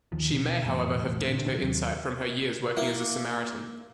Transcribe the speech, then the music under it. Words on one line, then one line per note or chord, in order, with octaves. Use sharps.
She may however have gained her insight from her years working as a Samaritan.
D#2 D#3 F3
B2
F2 A2 E3 B3
A#1 E2 A2
A#2 D3 D4
D#2 F#3
A#3 E4 F5